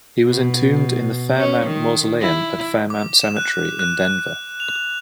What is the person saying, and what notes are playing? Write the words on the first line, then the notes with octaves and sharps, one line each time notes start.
He was entombed in the Fairmount Mausoleum at Fairmount Cemetery in Denver.
B2
C#4
D#3
E4
D6
E7
F#6
F#6
F#6
F7